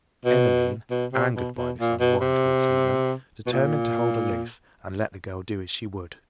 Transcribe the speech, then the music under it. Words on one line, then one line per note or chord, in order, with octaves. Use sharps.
Emmeline, angered by this unwarrantable treatment, determined to hold aloof, and let the girl do as she would.
B2
B2
C3
B2
B2
A#2
B2
C3
B2
A#2